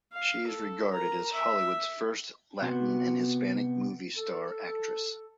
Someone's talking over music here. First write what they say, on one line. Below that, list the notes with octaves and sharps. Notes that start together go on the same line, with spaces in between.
She is regarded as Hollywood's first Latin and Hispanic movie star actress.
F5
A4
A#4 A#5
E5
C3 B3 F#4
A4